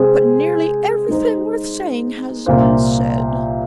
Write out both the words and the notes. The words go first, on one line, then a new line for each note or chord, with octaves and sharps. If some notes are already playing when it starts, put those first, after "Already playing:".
But nearly everything worth saying has been said.
Already playing: C3 G#3 C4 G#4 C5
G#3 D#4 C5
C2 A#2 A#3 F4 C5